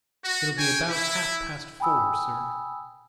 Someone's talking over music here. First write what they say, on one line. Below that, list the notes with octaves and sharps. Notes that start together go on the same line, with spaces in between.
"It'll be about half-past four, sir."
F#4
C#5 G5 G#5
E4
G5 G#5 B5 D#6 E6